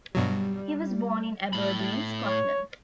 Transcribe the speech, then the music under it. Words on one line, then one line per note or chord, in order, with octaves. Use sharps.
He was born in Aberdeen, Scotland.
G2 B2 F#3 G3
A2 B5
C#5